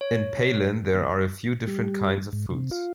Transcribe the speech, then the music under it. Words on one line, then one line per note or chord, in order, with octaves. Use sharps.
In Pailin, there are a few different kinds of foods.
C#5
G3
G#2
C3
F4